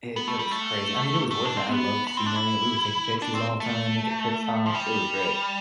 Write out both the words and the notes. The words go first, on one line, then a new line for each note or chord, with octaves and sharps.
It it was craz I mean, it was worth it, I loved the scenery, we were taking pictures the whole time, making pit stops, it was great.
B3
A3
G3
A3
A3
D4
C4
B3
B3
C4
D4
E4
D4
C4
A3
F3
G3